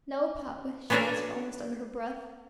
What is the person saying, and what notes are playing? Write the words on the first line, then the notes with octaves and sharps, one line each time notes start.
"No, papa," she answered almost under her breath.
B3 C#4 D4 F#4 A4 A#4